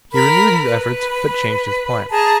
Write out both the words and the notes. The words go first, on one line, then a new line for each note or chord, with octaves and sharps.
He renewed his efforts, but changed his plan.
A#4 B5
B4
G#4 A5 A#5